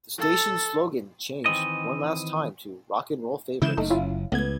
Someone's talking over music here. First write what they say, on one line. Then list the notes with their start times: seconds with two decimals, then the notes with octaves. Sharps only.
The station's slogan changed one last time to "Rock 'N Roll Favorites".
0.19 A4
1.46 D#3 E3 C4 D#5
3.62 C#3 E3 G#3 E4 G6 E7
3.77 F#1 A3 D#4
3.90 C#4 E4 F4
4.32 C#2 A2 B3 G#6